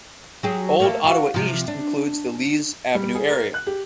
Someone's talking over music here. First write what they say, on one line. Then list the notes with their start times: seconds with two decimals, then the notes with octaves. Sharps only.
Old Ottawa East includes the Lees Avenue area.
0.43 F#3 G4 G#4
0.80 A3 A#3 A4
1.04 F4 F#4
1.34 C3 F3
1.68 D4
2.95 G3
3.15 G#4
3.30 A#4
3.54 F#6
3.67 G4